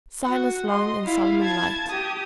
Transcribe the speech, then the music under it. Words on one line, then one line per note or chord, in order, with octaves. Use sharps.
Silas Long and Solomon Light.
F#4 F#5
D#5 C6
E4 F5
A5 G#6
G4 D#6